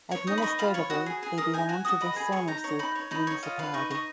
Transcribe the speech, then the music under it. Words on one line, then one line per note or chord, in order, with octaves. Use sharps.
Administratively they belong to the Sermersooq municipality.
C#5 C#6
D#4 D#6
B5
D#5 C#6
F4 B5
C#5 C#6
F#4 D#6
G#4
G#4
A#4 D#6
D#4 G#5
F#4 G#5
F#4 D#6
D#5 B5
G#4 B5
C#5 C#6
D#4 A#5
C#5 A#5
D#4 B5
C#5
D#4 B5
C#5
F4 D#5
B4 F5
D#4 C#6
D#5 C#6